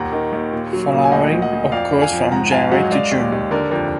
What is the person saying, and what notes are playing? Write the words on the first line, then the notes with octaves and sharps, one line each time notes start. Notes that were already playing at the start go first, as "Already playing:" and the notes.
Flowering occurs from January to June.
Already playing: D#2 A#2 F#5 A#5
D#3
D#2
A#2
F#3
A#2
G#5
D2 D#5 F#5
D2
D#5 F#5
D2
F2 D5 F5
F2
F5 G#5
F2
G#2 F#5 A#5
G#2 F5 G#5
F#3 D#5 F#5
G#3 D5 F5
D#2
D#2
D3 A#4 D5
F2 A#4 D5